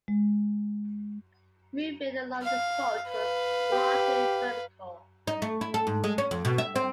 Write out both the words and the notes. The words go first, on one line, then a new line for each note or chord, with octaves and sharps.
Movement along the fault was largely vertical.
G#3
F5
B4 F5
G4
D#4
A3
E4
A4
G#2
G#3
C#4
F2
B2
E5
C4